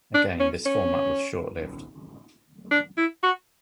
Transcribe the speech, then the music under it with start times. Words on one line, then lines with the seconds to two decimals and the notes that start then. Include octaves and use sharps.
Again, this format was short-lived.
0.14 D4
0.40 C#4
0.66 C#4
2.71 D4
2.97 E4
3.23 F#4